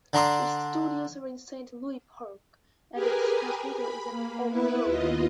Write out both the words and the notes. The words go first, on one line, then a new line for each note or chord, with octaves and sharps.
Its studios are in Saint Louis Park, and its transmitter is in Oak Grove.
D3 D4 A#5 C6 D#6
G4 G#4 A#4 B4 G#5
B5
A#3
B3 E4 B4
D#2 F4 D#5